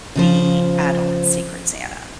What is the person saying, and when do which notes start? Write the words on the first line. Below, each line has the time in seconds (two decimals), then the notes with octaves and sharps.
the adult Secret Santa.
0.16 C#3 F3 C5